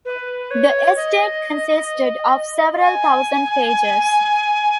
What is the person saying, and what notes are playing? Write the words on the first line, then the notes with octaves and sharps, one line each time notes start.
The estate consisted of several thousand pages.
B4
C#5
D#5
G#5